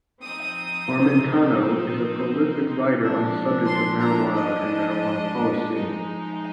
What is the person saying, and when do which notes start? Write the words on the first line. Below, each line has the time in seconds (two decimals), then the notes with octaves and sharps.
Armentano is a prolific writer on the subject of marijuana and marijuana policy.
0.20 F3 C4 D#4 D#6
2.97 F3 G#3 D4
3.66 C6
4.00 A#5
4.35 D#5
5.72 F3 G#3 D#4